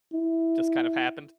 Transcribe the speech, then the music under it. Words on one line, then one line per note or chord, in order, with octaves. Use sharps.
just kind of happened?
E4